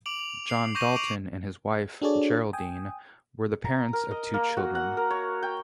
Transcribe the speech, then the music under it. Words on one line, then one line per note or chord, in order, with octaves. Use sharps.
John Dalton and his wife Geraldine were the parents of two children.
D6 D7 F7 F#7
F7
C7
C#6 D6 G6 A#6 D#7 F#7
D6 D7 F7 F#7
D4 F#4 G#4 A4 C#5 D5
G5 G#5 D#6
A#5
A#4
D#5
A#3
F#4
F#5
A#4
C#5
G5